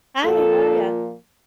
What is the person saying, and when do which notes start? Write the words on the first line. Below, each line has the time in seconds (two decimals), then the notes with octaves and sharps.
Hi. How are ya?
0.24 A#2 F3 A#3 A4